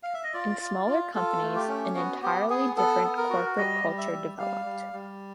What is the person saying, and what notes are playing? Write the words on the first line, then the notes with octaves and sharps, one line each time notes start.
In smaller companies, an entirely different corporate culture developed.
F5
E5
D#5
F4 D5
F4
F4
F4 A4
A3
G4
C#4
B3 F#4
B3 G4
B3 G#4
B3 A4
B3
A#4
F#4
G3 D#5
G3
E5
G3
G3 F5
G3
G3